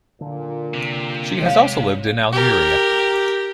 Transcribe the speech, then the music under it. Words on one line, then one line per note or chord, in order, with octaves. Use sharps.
She has also lived in Algeria.
A#2 D3
C3
D#1 G#3 C#5 F5
G4 A#4